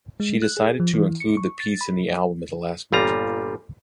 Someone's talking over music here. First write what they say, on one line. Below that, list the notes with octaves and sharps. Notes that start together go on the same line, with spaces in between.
She decided to include the piece in the album at the last moment.
G#3
F#6
G#4
F3
E3
C#7
C#6
A6
B5
G1 A#2 G3 F4 A#5